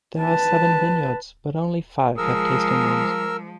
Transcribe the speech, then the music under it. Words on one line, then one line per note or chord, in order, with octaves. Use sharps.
There are seven vineyards, but only five have tasting rooms.
B4 A5
F3 G#3 G#4 A#4 E6